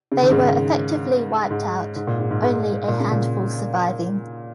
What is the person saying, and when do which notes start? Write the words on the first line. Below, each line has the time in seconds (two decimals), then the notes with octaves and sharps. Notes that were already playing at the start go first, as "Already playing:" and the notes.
They were effectively wiped out, only a handful surviving.
0.12 C#3
0.22 D#3
0.31 G#2 C#3
1.50 G#2
1.96 G#2
2.07 A#2
2.19 G#2
2.31 G#2
2.42 G#2
2.88 A#2
3.00 C#3
3.11 A#2